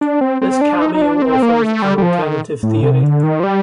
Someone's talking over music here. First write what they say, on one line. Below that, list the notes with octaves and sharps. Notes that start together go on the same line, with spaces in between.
This cameo offers an alternative theory.
D4
C4
C4
D4
D#4
D#4
D4
C4
A#3
A3
G3
G3
F3
D#3
A2
C3
D3
D#3
F3
G3